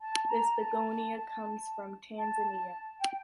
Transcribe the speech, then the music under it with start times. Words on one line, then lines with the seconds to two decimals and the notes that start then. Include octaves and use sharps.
This Begonia comes from Tanzania.
0.01 A5
0.28 A#5
0.55 A5
2.17 A5
2.99 G5